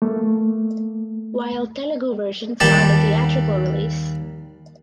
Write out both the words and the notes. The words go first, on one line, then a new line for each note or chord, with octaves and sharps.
While Telugu version saw the theatrical release.
A3 A#3
D#2 G3 G4 A5